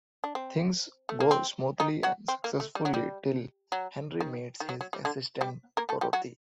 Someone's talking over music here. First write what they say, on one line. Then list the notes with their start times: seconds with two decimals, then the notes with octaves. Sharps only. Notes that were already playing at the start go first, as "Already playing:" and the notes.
Things go smoothly and successfully till Henry meets his assistant Dorothy.
0.24 D4
0.35 C4
1.09 A3
1.20 A#3
1.31 C4
1.80 D#3 D#4
2.03 F#3 F#4
2.28 C4
2.44 A#3
2.60 A3
2.75 G3
2.85 F#3
2.94 G3
3.72 F#3
4.21 D#3
4.60 D#3
4.69 F#3
4.81 F#3
4.93 G3
5.05 D3 D4
5.41 G3 G4
5.77 A#3 A#4
5.89 A3 A4
6.01 G3 G4
6.13 F#3 F#4